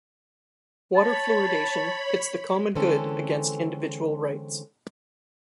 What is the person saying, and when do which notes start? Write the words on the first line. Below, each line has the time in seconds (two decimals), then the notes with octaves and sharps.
Water fluoridation pits the common good against individual rights.
0.96 C#5 A5 B5
2.75 D3 E3 G#3 C4 C#4 A4